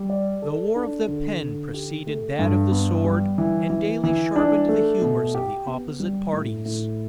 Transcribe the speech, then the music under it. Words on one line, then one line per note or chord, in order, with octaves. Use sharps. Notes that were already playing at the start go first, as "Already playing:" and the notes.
The war of the pen preceded that of the sword, and daily sharpened the humors of the opposite parties.
Already playing: G3
D5
A4
D4
D3
D3
G4
A3
G2
B3
G3
E3
E3
E3
D4
A3
B2
G4
B3
G3
A2
A2